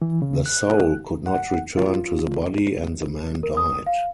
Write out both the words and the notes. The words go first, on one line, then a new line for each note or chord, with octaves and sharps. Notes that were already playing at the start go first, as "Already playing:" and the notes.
The soul could not return to the body and the man died.
E3
C#3
F#6
F#5
F4
A#4
D#6
F5